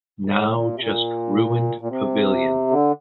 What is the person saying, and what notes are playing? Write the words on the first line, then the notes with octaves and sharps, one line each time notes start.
Now just ruined pavilion.
A2
A#2
C3
A#2
A#2
C3
D3